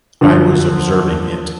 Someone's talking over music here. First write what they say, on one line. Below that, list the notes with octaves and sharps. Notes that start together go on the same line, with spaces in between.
I was observing it.
D3 F3